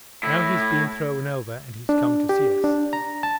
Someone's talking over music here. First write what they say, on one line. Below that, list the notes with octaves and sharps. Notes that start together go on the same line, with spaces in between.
Now he's been thrown over and he's come to see us.
A2 E4
D4
G4
D4
A#5
A5